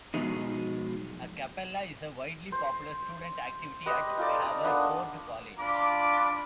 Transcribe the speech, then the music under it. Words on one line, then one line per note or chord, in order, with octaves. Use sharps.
A cappella is a widely popular student activity at Haverford College.
B2 F3 F#3 G#3 D#4
C5
G4 B4 D#5
D#4 F4 A4 D5
D#6
A#3 B3 D4
D4 F4 B5 D6